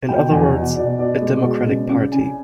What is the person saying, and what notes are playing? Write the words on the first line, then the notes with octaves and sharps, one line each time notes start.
In other words, a democratic party.
B2 G5
E2 G#5
B2
F#5
B2 D5
B2 D5
G#3
B2
C#3
C#3
C#3 G#5